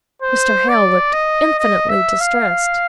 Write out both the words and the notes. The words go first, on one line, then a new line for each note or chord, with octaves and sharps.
Mr. Hale looked infinitely distressed.
C5
D5
D#5
D#5
E5
F5